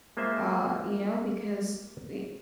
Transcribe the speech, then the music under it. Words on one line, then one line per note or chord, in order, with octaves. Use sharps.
uh, you know, because eh
G#3 A#3 F4 C5 E5